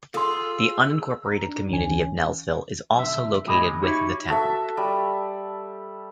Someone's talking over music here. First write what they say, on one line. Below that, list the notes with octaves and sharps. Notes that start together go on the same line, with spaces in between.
The unincorporated community of Knellsville is also located with the town.
F4 G#4 A4 C6 E6
A#5
D4
D2 E3 C#4 G#5
B1 D3 E5
F2 A2 G4 G#4 D#5 B5
D#2
D#4 E4 F#4 G4 C#5
F#4 A4 E5
G3